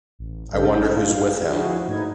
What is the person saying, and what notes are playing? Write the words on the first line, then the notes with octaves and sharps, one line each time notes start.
I wonder who’s with him.
A1
A1 C#3 G3 A4 G6
F5
F3 E4 F#4 G#4
G#2 A3 D#4 B4 G#6